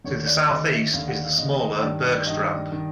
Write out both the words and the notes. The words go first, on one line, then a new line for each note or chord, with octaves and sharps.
To the southeast is the smaller Bergstrand.
D#2 D3 C#5
D5
D#2 D3 D#5
E5
D#2 D3 F5
F#5
F5
D#2 D3 D#5
D#5
G2 D#3 D5
D5
G2 D#3 D#5
D#3